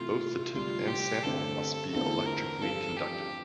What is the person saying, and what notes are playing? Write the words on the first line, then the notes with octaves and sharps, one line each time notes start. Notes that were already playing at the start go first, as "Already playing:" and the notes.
Both the tip and sample must be electrically conductive.
Already playing: C3 E3 A3 E4 F4
D2 C3 G3 D4 F4
G4
G2 D3 A3 C4 A4
E2 D3 A3 C4 F4 A4
A#4
G2 F3 C4 F4 A4
G4